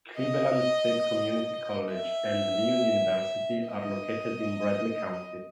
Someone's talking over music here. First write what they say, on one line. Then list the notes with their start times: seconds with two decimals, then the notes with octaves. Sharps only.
Cleveland State Community College and Lee University are located in Bradley County.
0.18 D#5
1.93 E5
3.68 D#5